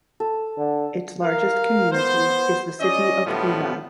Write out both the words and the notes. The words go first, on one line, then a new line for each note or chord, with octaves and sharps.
Its largest community is the city of Hoonah.
A4
D3
A#4 F5
B3 C5
C#4 D5 D#5
A2 D3 F3 G3 B3